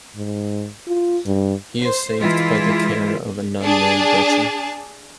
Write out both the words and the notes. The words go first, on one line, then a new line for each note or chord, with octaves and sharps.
He is saved by the care of a nun named Gretchen.
G#2
F4
G2
C5
E3 G#3 E4 F4
D4 G#4 A5